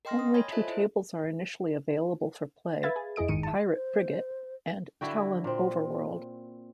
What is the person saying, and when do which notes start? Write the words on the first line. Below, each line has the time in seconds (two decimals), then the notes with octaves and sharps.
Only two tables are initially available for play: Pirate Frigate and Tallon Overworld.
0.05 A#4 D#5 G5 C6 F6 A#6
0.19 D#6
0.34 C#5 G#5 B5 G#6
0.52 F4 A4 C5 D#5 E5 A5
0.68 E4 C5
2.83 B4 E5 F5 B5 G#6 A6
2.96 G#4
3.16 F2 E4 G#4 D#5 D7
3.28 G1 G#2 D#3 D#4 C#7 D#7
3.43 E4 A5
3.73 C5
5.01 D3 E4 F#4 G5
5.44 A#2 C4